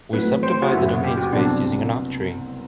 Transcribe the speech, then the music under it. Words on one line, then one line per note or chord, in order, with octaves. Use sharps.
We subdivide the domain space using an octree.
A2 F#3 A3 C4 B4
C5
F#4
F#1 F#2 F#3 E4
F#4
G4
F#4
C2 B2 F#3 C4 D4